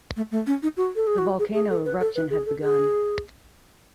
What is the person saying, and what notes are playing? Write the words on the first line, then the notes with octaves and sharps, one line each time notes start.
The volcano eruption had begun.
A3
A3
C#4
D#4
F#4
A4
G#4
F#4
G#4
G#4
A4
B4
A4
B4
G#4
A4
G#4